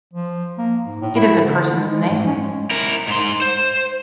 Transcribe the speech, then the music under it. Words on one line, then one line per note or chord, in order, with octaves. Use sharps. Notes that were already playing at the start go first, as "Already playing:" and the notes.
It is a person's name.
F3
A#3
G#2
A2
E4
D3
G#3
G#2
C#4
G#3
E4 A#4
G#2 C6
C5